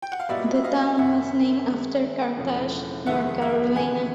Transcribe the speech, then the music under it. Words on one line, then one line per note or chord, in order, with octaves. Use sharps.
The town was named after Carthage, North Carolina.
G5
F#5
F5
A#2 G3 B3 D#4 F#4 D5 E5
E5
D#5 F5
F#1 F#2 D#3 E5 F#5
G2 D#3 G#3
E1 E2 C#3 F3 A3
F1 D#2 D#3 G#3 E5 F#5
E5 F#5
F1 D#2 C#3 E3 F#5 G#5